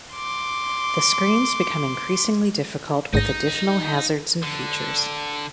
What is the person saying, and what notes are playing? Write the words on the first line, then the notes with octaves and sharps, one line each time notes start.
The screens become increasingly difficult with additional hazards and features.
C6 D6
A1 G#2 D#4 A#6
D3